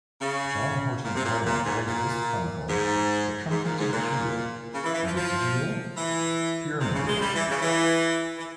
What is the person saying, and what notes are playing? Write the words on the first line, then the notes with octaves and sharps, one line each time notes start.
John Horton Conway calls this honeycomb a truncated cubille, and its dual pyramidille.
C#3
A#2
C3
A#2
A#2
G#2
A#2
G#2
G#2
A#2
G#2
A#2
C#3
E3
E3
F3
F3
E3
C3
C#3
G#3
G3
E3
C#3
E3
E3